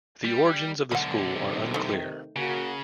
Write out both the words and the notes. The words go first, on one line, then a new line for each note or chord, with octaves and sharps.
The origins of the school are unclear.
G3
B1 D3 F#5 B5
C3 D#3
A3 D#4
C#3 A#3 F#4